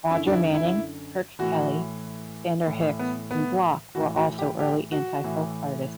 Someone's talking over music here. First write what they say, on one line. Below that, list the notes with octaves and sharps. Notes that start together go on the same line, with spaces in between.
Roger Manning, Kirk Kelly, Sander Hicks, and Block were also early anti-folk artists.
F#2 D3 E4
D4
E4
E4
A2 E3 F#4
A2 E3
B3
B3
A2 E3 F#4
F#4
G4
G4
F#4
A2 E3